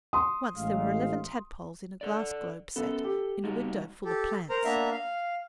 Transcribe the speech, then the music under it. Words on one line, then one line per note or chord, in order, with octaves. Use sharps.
Once there were eleven tadpoles in a glass globe set in a window full of plants.
C6 D#6
A1 G#3 F5
A4 D5
F#2 B3 A4
G4
G3 D#4 F#4
G4 A4
A#4 C5 A#5
A#3 B3 D4 E5 A#5
F5